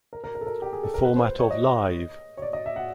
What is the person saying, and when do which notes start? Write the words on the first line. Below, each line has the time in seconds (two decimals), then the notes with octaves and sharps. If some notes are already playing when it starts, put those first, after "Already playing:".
The format of Live!
0.13 A#4
0.24 A#4
0.35 A#4
0.41 A4
0.47 A#4
0.62 G4
0.73 G#4
0.83 A4
0.94 A#4
1.04 B4
1.16 C5
1.27 C5
1.39 C#5
1.51 D#5
2.37 C#5
2.42 D5
2.53 D#5
2.66 E5
2.76 F#5